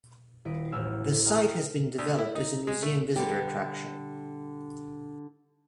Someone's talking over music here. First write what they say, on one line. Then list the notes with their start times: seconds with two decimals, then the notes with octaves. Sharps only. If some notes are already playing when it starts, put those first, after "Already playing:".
The site has been developed as a museum visitor attraction.
0.45 D#1 E4 D#5 B6 D7
0.72 E1 A1 G#5 E6 F6
1.25 D#5 G5 A#5 F6
1.99 D2
2.18 E4
2.35 D#4
2.67 G#3
2.83 A3
3.16 D3 G3 G4